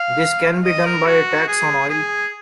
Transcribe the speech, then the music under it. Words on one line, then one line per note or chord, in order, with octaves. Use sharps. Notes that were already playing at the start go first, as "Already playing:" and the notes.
This can be done by a tax on oil.
Already playing: F5
D#5
A#4
F#4
G#4
G#4